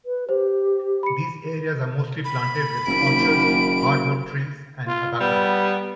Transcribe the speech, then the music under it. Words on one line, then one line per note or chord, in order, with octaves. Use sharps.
These areas are mostly planted with orchards, hard wood trees and abaca.
B4
G4 C5
B5 C#7
B5
F#1 D#3 A#3 C4 D7
F4
G3 B3